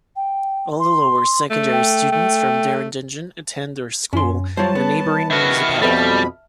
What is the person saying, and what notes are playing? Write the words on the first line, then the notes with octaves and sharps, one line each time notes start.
All the lower secondary students from Derendingen attend their school in a neighboring municipality.
G5
C6
A3
G5
A3
F#2 C#4 C6
F#3 G3 F4 C5 C#5 A5
B3
D#3 F#4 B4 E5 A5 F6
F2 B2 G3 A4 B4 D#5 B5